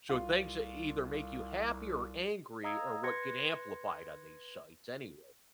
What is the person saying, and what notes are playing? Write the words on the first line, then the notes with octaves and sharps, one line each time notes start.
So things that either make you happy or angry are what get amplified on these sites anyway.
C2 F4
D#5 F5 A#5 D#6 E6 G#6
B4 C6 G#6 A#6 C#7